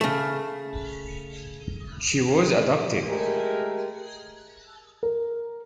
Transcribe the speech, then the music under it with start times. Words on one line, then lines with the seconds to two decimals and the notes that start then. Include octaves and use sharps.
She was adopted.
0.01 C#3 A3
3.07 G#3 A3 G4 G#4 A#4
5.03 A#4